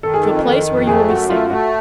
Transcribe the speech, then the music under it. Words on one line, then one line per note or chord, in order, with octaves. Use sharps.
"To a place where you will be safe."
D#3 A4
G#4
F2 A4
D#3
F2
A3 G#4
F#2 F#4
A3 F4
A3 F#4